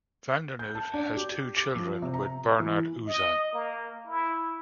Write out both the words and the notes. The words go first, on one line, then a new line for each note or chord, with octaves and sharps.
Vandernoot has two children with Bernard Uzan.
G6
A5
D4
G4
D6
F3
C3
A#5
E3
D#5
A#3
E4